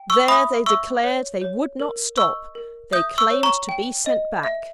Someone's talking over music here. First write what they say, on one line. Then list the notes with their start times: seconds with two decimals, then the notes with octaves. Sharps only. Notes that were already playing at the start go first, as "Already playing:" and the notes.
There, they declared, they would not stop; they claimed to be sent back.
Already playing: G5
0.10 C#6 E6
0.28 E5 B5 D#6
0.66 E5 C#6 E6
1.04 C#5
1.41 C#5
1.80 A#4
2.17 D#5 C#6 E6
2.55 A#4
2.92 E5 D#6 G6
3.18 C#6 E6
3.31 C#5
3.43 A#5 C#6
3.69 G5
4.06 D#5
4.43 E5